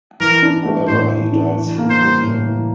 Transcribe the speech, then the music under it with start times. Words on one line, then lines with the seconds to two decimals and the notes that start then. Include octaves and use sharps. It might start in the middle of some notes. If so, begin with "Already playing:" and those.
However, he died soon after.
0.20 E3 A#4
0.42 D4
0.65 A3
0.87 A2 C5
1.10 E3
1.32 D4
1.55 E3
1.78 A#3
1.90 C5
2.01 G3
2.23 A2
2.46 E3